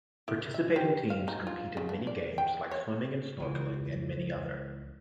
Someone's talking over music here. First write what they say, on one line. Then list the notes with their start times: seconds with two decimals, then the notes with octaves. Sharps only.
Participating teams compete in many games like swimming and snorkeling and many other.
0.28 E4
0.54 E5
0.76 G4
1.10 F5
1.28 D#4
1.47 F4
1.77 C#3
1.89 A3
2.07 D5
2.38 G5
2.71 C#5
3.40 C#2 E3